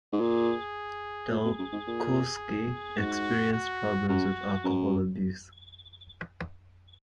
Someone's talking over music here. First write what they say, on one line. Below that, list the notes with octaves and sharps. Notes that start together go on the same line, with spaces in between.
Dalkowski experienced problems with alcohol abuse.
G#2
A#2 G#4
A#2 G#4
B2
F#2
G#2
A#2
G#2 F#4
F#4
F#2 F#4
F#2